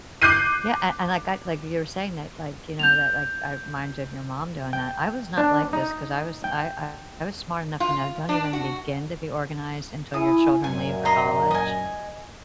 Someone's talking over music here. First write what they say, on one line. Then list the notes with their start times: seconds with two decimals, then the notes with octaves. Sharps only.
Yeah, a and like, I like you were saying that, like, you know, that, like, it reminds you of your mom doing that. I was not like this 'cause I was I I was smart enough to know don't even begin to be organized until your children leave for college.
0.22 D6 F#6 G6 C7 D#7
2.79 G6 F7
4.73 G5
5.38 D4
5.73 D#4
6.44 G5
7.80 F4
8.29 D4
8.53 F#4
10.14 E4 G#5 D#6
10.64 F#2 A#2 G#5
11.05 D#5 A#5 C6
11.51 D#5 G#5